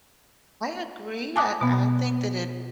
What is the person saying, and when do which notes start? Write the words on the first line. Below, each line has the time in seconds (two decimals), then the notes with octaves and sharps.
I agree I I think that it
1.36 G#5 A5 D6 D#6 F#6
1.61 B2 B3